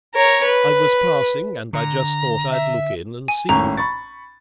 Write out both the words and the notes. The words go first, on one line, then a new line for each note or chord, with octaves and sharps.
I was passing and I just thought I'd look in and see you.
A#4 C#5
B4
D3 A#5
E5
G#5
G#1 A2 C#4 A#5
B5 C#6 A6